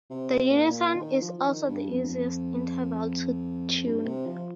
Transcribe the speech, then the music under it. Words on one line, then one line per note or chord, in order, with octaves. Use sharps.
The unison is also the easiest interval to tune.
C3
C3
A#2
A#2
D#3
F3
F3
D#3
G2
F2
G2
F2
G2
C3
F3